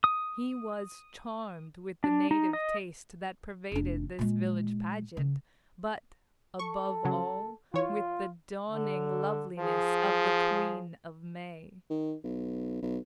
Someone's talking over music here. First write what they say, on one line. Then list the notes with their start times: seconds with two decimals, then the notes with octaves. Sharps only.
He was charmed with the native taste that pervaded this village pageant, but, above all, with the dawning loveliness of the queen of May.
0.04 D#6
2.04 D4
2.31 D#4
2.53 D#5
3.72 F1 D4
4.19 A#2 G#3
5.17 C#3
6.59 A4 C#6
7.05 C#3 F#3
7.74 E3 F4 C#5
8.69 D3
9.59 F3 G#4
11.90 D#3
12.24 B1
12.83 B1